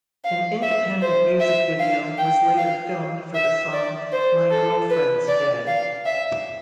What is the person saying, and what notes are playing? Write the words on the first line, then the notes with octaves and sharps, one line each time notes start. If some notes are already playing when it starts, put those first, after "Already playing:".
An independent music video was later filmed for the song My Girlfriend's Dead.
F5
E5
C5
E5
F5
G5
F5
E5
D5
C5
A4
B4
D5
F5
E5